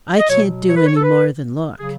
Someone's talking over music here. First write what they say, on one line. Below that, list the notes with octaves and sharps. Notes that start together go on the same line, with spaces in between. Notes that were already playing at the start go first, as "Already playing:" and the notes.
"I can't do any more than look."
D#5
B2 F#3 C#5
C#5
B4
C#5
A4
B4
C#3 F#3 G#4